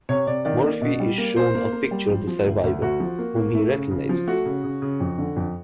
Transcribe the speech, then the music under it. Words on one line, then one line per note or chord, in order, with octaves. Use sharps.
Murphy is shown a picture of the survivor, whom he recognizes.
C3 C#5
C3 D5
D#3 D5
A#3
B2
G3
A#3
A#3 C5
A#3
A#3
G3
F3
F3
D2
D2
D2 F#4
F3
A#3
A#3
A3
C#3
C#3
F3
A3 F#4
C#3
C#3
C#3
F2
D3
F2